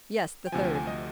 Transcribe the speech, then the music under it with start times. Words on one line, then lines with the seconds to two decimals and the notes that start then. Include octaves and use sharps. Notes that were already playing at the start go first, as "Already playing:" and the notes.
"Yes, the third."
0.47 G5
0.52 D2 C3 F3 G#5
0.64 G5
0.75 G#5
0.87 D#5